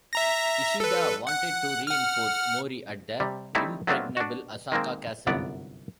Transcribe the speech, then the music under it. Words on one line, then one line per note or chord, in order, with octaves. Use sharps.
Ishida wanted to reinforce Mori at the impregnable Osaka Castle.
E5 A#5 A#6
A4 B4
F#5 F#6
F#5 F6
C3 G3
G3 A3 C4 D#4 E4
F#3 A3 B3 C4 D4 F4
D4 F#4
D#3 G#3 A#3 C4
G1 C2 F#2 B3 D5